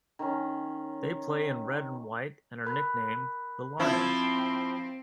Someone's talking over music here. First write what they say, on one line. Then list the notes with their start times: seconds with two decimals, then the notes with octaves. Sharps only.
They play in red and white and are nicknamed "The Lions".
0.19 D#3 C#4
2.65 A#4 B5 F#6
3.80 F3 C4 E4